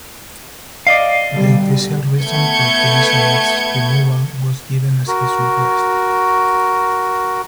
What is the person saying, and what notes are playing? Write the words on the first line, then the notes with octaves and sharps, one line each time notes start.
The official reason for Prince Ahmed's removal was given as his request.
D5 D#5 F5
B2 D3 G3
A3 B3 G6 G#6 C#7
F#4 A#4